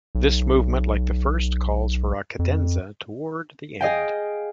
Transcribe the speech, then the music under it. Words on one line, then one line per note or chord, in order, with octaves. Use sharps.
This movement, like the first, calls for a cadenza toward the end.
B1
F2
G#4 D#5 F5 G5